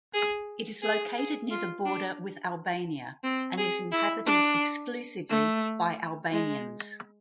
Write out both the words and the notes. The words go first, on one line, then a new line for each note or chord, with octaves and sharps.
It is located near the border with Albania and is inhabited exclusively by Albanians.
G#4
G#4
G#4
F4
D4
C4
G#4
E4
D4
A3
G#3